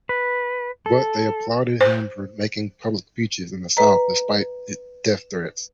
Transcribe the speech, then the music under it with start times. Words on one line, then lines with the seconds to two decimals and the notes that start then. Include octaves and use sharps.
But they applauded him for making public speeches in the South despite death threats.
0.09 B4
0.86 A4
1.81 C5
3.77 B4 D#5 A#5